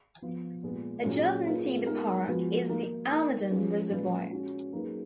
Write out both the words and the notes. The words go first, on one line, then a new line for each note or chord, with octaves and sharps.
Adjacent to the park is the Almaden Reservoir.
F3 B3 F4
A#2 G#3 B3
A#2 F#3 C#4 G#4
A#3 F4 G#4 B4
G#3 B3 D#4 A#4
F3 G#3 B3 F#4 B4
D#3 A#3 D#4 A#4
A#3 D#4 A#4
F3 G#3 C#4 G#4 B4
A#2 G#3 C#4 F4 B4
G#3 C#4 F#4
F#3 A#3 D#4 G#4 B4